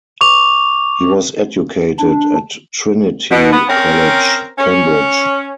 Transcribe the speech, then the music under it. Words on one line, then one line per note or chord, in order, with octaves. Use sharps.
He was educated at Trinity College, Cambridge.
C#6 D6 F7
D4
B2
B3
C4 C#4 A#4
C#4